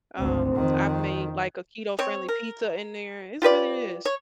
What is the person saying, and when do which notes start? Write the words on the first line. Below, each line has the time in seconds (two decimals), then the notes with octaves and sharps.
um, I've made like a keto-friendly pizza in there, it's really is.
0.18 G#1 D2 C4
0.55 F2 D#3
1.99 C4 C#5
2.28 A#4
3.42 F4 G4 B4 D5
4.05 C#5